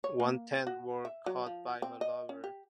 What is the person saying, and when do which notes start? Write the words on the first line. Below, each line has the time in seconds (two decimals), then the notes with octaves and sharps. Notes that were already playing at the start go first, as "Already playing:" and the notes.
One tenth were caught by her lover.
0.04 C#5
0.20 A#3
0.67 F#4
1.05 E5
1.26 F#3
1.47 F3
1.82 C4
2.01 D#5
2.29 C#4
2.44 G4